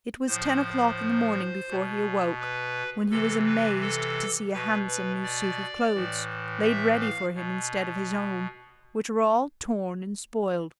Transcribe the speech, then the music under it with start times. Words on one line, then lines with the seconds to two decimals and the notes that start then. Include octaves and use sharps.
It was ten o'clock in the morning before he awoke, when he was amazed to see a handsome new suit of clothes laid ready for him, instead of his own, which were all torn and spoiled.
0.28 A2 F3 C5
1.70 B2
2.40 B4
3.10 C3 E3 A4
3.46 B4
3.81 A4
4.53 B2 B4
4.87 B4
5.23 D5
5.94 A2 E3
6.64 E5
7.00 F5
7.34 B2